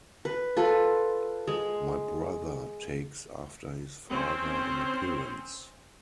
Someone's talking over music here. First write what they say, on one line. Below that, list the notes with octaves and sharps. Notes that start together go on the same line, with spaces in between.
My brother takes after his father in appearance.
B4
F4 A4 B4
G#3
C4 C#4 C5